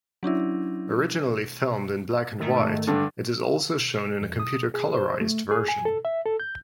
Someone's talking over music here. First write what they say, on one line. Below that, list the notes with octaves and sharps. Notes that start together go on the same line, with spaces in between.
Originally filmed in black-and-white, it is also shown in a computer-colorized version.
F#3 C#4 D4 E4
G#2 D#3 A3
G2 D3
F2
D#6
G#4
C5
A3
G#4
G#5
A4
E5
A4
G6